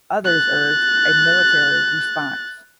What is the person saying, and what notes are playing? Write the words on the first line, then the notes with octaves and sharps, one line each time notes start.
Others urge a military response.
F#6 A6